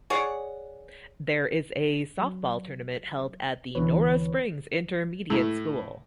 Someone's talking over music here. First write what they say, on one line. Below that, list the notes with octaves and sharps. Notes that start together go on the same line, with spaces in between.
There is a Softball Tournament held at the Nora Springs Intermediate School.
G#4 C#5 D5 F#5
F#3
D2 D3 E3 B3 B4 C#5
A2